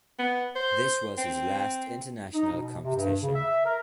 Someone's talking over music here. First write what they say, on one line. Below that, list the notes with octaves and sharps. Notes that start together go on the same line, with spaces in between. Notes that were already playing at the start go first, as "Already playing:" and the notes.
This was his last international competition.
B3
C5
C4
D#4
B2
C3
G2
C#3
E5
A#4